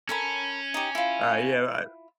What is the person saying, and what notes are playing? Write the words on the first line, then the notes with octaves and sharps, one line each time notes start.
alright, yeah, right
C#4 A4 A#4 B5
D#4 G4
E4 F4